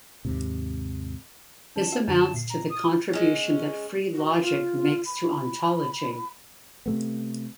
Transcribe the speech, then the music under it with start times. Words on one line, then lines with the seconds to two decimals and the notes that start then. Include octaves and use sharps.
This amounts to the contribution that free logic makes to ontology.
0.25 D#2 G#2 C3
1.76 D#3 C#4 A5
1.92 F#4 E5
2.08 F#2 D3 A5 A6
2.34 A#2 C7
2.50 A#5
2.70 D#6
3.13 G#3 C#4
4.15 F#4
4.41 F4
5.06 B5
6.86 C3 A3 B3